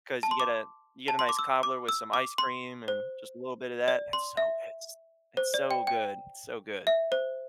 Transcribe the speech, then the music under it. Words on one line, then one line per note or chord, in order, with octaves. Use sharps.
'cause you get a you get a nice cobbler with some ice cream and just a little bit of that. It's so it's it's so good, so good.
A5
C6
D6
A5
C6
D6
E6
D6
E6
D6
C6
C5
D5
C6
E5
C5
D5
G5
G5
E5
C5